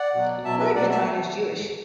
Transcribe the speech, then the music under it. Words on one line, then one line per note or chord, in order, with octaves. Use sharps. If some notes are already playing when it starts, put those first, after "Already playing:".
Roy Bittan is Jewish.
Already playing: D5 F#5
B2 F#3
B2 F#3 E5 A5
B4 E5
B2 F#3 D5 F#5
E5 A5